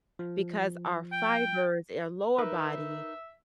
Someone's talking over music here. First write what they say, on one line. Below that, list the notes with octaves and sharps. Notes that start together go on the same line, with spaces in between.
because our fibers in our lower body
F3
G5
D#4 A#4 B4 E5